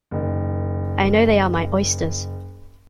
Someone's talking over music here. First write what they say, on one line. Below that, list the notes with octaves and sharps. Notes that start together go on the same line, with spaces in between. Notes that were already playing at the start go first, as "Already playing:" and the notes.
I know they are my oysters.
F#1 D#3